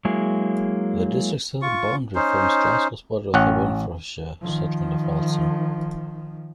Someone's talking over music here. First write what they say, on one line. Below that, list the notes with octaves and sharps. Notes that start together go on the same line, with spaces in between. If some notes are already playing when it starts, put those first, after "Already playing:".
The district's southern boundary forms Glasgow's border with the Renfrewshire settlement of Ralston.
F#3 G#3 A#3 E4 G#4
F4 C#6
C#4 D#4 C5
A1 C#4 F#5
D#3 F3